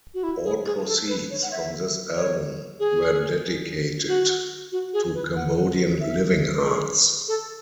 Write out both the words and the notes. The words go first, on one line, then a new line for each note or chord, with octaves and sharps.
All proceeds from this album were dedicated to Cambodian Living Arts.
F#4
E4
G#4
G#4
A4
B4
C#5
F#5
E5
C#5
G#4
F#4
F#4
G#4
B4
F#5
E5
G#4
A4